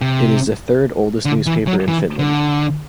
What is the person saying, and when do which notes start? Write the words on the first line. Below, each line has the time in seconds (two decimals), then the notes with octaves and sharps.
It is the third oldest newspaper in Finland.
0.01 C3
1.25 D3
1.46 E3
1.67 F#3
1.88 E3
2.19 D3